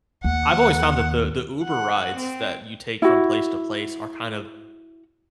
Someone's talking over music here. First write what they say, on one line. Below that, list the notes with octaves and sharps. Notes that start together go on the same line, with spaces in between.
I've always found that the the Uber rides that you take from place to place are kind of
D#2 F#5
F#5
C4
E4 F#4